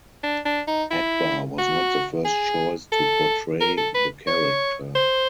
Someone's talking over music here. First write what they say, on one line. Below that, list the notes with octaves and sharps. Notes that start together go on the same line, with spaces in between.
Akbar was not the first choice to portray the character.
D4
D4
D#4
E4
F#4
G#4
A4
A#4
A4
B4
C#5
C5